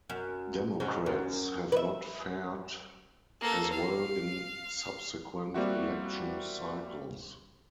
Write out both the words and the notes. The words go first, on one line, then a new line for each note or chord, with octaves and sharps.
Democrats have not fared as well in subsequent election cycles.
F#2
G#2 F#3 C#4
F#2
B4 E5
A#3 A4
F5
G3 A#3 C4 F#4 E5 F#5